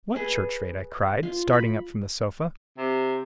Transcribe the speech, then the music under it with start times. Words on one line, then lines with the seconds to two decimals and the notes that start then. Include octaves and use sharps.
"What church-rate?" I cried, starting up from the sofa.
0.16 G#4 A4 B4
1.23 F4
1.53 B5
2.78 C3